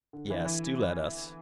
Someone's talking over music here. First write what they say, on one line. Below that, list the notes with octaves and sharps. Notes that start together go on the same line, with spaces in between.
"Yes, do let us."
D3
E3
E3